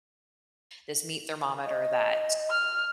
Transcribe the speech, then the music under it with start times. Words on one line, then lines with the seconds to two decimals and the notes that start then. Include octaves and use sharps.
this meat thermometer that
1.66 D#5
2.51 F6